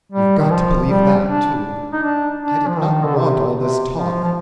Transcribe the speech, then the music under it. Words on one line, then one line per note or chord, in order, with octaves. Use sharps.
You've got to believe that, too. I did not want all this talk. . . .
G3
D#3
F3
G3
D4
D#4
D4
D4
F3
D#3
D3
C3
C3
F3
F3